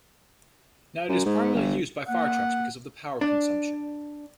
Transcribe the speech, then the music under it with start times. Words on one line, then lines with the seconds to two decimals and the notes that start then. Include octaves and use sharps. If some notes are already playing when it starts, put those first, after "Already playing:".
Now it is primarily used by fire trucks because of the power consumption.
1.09 F#2
1.26 G#2
1.55 G1
2.09 A#3 F#5
3.21 D4